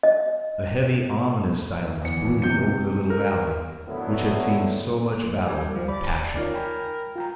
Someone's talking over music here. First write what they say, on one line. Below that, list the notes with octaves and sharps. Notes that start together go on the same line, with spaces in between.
A heavy, ominous silence brooded over the little valley which had seen so much battle and passion.
D#5
E2 C#7
C3 G6 C#7
A#4
A2 D3 F#3 B3 E4
G3 G#5
F3 G3
D5 B5
D#4 F4 A#4 C#5
G5 G#5 B5
F4 G5 A#5